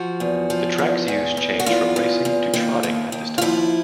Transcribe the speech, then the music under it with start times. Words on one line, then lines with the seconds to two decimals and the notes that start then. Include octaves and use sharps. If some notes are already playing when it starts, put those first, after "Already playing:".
The track's use changed from racing to trotting at this time.
Already playing: F3 F#4
0.20 E2
0.50 F3
0.78 E2
1.08 E2
1.37 E2
1.60 F#4
1.66 E2 F4
1.96 E2
2.25 E2
2.54 D#2
2.83 D#2
3.12 D#2
3.38 F4
3.41 F3 E4